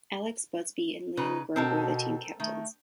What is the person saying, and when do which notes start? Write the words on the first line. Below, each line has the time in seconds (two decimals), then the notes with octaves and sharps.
Alex Buzbee and Liam Grubb were the team captains.
1.17 C#3 D#4 B4
1.56 B2 C4 A4 A#4
2.40 D#3 A3